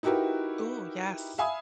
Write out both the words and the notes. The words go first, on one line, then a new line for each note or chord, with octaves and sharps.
Ooh, yes.
D#4 E4 F#4 G4 A#4 B4
E5 F5 G#5 B5 D#6